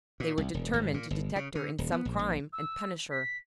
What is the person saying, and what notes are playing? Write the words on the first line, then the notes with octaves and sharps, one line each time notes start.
They were determined to detect her in some crime and punish her.
A#2
C2
E1
G#1
A#2
G1
C#3
D3
D#1
B3
A#1
A#1
E6
B6